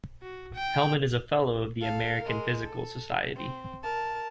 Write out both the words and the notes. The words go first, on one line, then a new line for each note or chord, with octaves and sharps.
Hellman is a fellow of the American Physical Society.
F#4
G5
A4 F5
G#3 A#4
A4
C4
A#4 A5